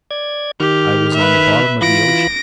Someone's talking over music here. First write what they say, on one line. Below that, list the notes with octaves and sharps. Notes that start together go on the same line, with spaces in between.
I was on the bottom of the ocean.
D5 G#6
D#3 G4 F6
B4 E5
E3 F4 B5 A#6 D7